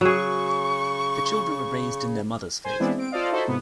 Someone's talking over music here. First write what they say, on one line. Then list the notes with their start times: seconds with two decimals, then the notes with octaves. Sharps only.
The children were raised in their mother's faith.
0.01 C#3 F#3 G#4 C#6
2.64 C5 G#5
2.79 E3 G#3 B3 C4 D4 E4
2.98 C4 D7
3.12 F4 A4 C5 D5 D#5 F5
3.32 D#4 E4 F#4 A4 C5 E5
3.47 G#2 C3 B3